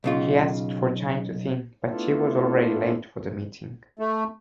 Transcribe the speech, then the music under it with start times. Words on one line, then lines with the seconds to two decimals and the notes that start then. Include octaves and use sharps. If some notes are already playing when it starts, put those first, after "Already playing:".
He asked for time to think, but she was already late for the meeting.
0.04 B1 C#3 F4
1.88 A3 B3 D4 E4 F4 A4
3.99 A3